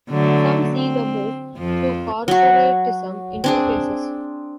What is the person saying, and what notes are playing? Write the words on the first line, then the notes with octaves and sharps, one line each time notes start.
Some see the move to corporatism in two phases.
D3 F#3 A3
C4
F2 F3
F#3 F#4
C4 D4 G#4